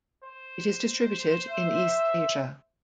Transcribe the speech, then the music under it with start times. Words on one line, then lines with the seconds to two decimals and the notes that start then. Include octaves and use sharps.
It is distributed in East Asia.
0.24 C5
1.49 E5